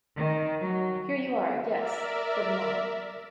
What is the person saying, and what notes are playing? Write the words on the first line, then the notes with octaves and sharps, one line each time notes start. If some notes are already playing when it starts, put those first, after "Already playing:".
Here you are, yes — for the moment.
D#3
F#3
A#4 D5 E5